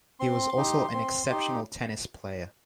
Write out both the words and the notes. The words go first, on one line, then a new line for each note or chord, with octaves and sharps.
He was also an exceptional tennis player.
C4 C6
D#4 G4
C4
D#4 G4